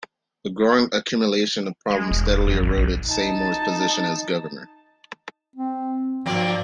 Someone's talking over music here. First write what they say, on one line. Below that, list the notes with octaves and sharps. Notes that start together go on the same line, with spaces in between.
The growing accumulation of problems steadily eroded Seymour's position as governor.
G#3
E1
E1
F2
G#1
B1
D#4 A5
C4
G#2 F3 A#3 D5